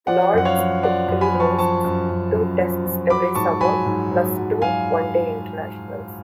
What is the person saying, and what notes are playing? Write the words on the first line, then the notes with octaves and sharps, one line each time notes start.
Lord's typically hosts two Tests every summer plus two one-day internationals.
F3 D5 F#5
F#2 F#5
C#5 F5
F3
F3 D5 F#5
F#2
G#5 B5
F3
A5 C#6
F3 A5 C#6
F#2
F#2
F#2
F3
F3
F#3 B5 D6
G#2 A5 C#6
F#3 G#5 B5
G#2
F#3
F#3
F#3 F5 G#5